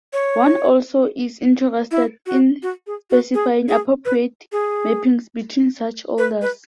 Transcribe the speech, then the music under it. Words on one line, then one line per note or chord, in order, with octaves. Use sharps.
One also is interested in specifying appropriate mappings between such orders.
C#5
E4
F#4
F#4
G#4
F#4
G#4
G#4
B4
G#4
B4
B4